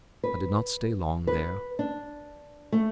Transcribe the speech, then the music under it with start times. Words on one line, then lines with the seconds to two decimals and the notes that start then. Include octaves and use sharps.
I did not stay long there.
0.23 B4
1.27 B4
1.79 D4
2.72 A3